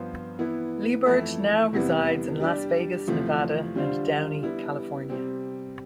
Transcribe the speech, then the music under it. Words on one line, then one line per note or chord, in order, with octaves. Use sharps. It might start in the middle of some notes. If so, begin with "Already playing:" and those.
Liebert now resides in Las Vegas, Nevada and Downey, California.
Already playing: G2 F3 B3 F4 C5
E3 B3 E4
F2 E3 A3 E4 A4
E2 C3 G3 B3 E4
G3 D4 G4 D5
E2 C3 F3 A3
D3 G3 D4 F4 C5
G3 B3 E4
C3 G3 C4